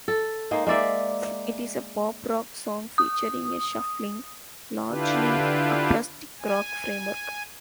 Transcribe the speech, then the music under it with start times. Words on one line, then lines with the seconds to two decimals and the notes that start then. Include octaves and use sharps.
It is a pop rock song, featuring a shuffling, largely acoustic-rock framework.
0.08 A4
0.51 G#3 A#3 D#4
0.67 G#3 A#3 D5 E5
2.98 D#6
4.89 D3 D4 E4 F4 G4 B4
6.39 G#5